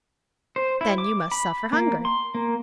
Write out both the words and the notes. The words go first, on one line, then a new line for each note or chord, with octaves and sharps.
"Then you must suffer hunger."
C5
E4
D6
B5
A#3
C6
A#3